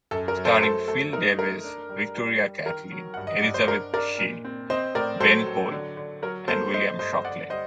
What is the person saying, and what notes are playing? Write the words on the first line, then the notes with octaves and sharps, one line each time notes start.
Starring Phil Davis, Victoria Catlin, Elizabeth She, Ben Cole, and William Shockley.
F#2 A4
A#4
F#3
A4 C5
A3 A4 C5
A3 A4
D#4 A#4
A3 A#4
D4
G3
G3
G3
D#3 A#4
F#3
G2 F#5
D#5
G2 D5
C5
D4 A#4
D4 A#4 D5
A#2
C4
C4 C5 D#5
A2 A#4 D5
F#3 A4 C5
F#3
D3
D3
F#3 A#4
A#3 A4 C5
A3 C5 D#5
G2 C5 D#5
D3 D5 F#5
G3 C5 D#5